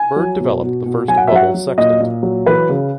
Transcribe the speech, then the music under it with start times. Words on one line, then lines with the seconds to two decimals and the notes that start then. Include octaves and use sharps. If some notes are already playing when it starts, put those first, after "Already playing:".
Byrd developed the first bubble sextant.
Already playing: G#5
0.16 F#3
0.40 B2
0.62 B2
0.86 B2
1.08 F#3 G#5
1.17 F#5
1.28 E5
1.32 F#3 F#5
1.54 F#3
1.78 A#2 D#5
2.00 A#2
2.23 F#3
2.46 E3 B4
2.70 C#3